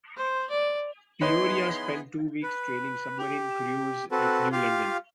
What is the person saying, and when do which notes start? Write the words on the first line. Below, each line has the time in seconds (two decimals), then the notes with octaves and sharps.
"Peoria" spent two weeks training submarine crews at New London.
0.17 C5
0.50 D5
1.21 B3 D#4 E4 G#4 B4 C#5 C6
2.43 B4
3.19 G4
4.11 C4 F#4 A4 B4
4.52 F4 G4 F5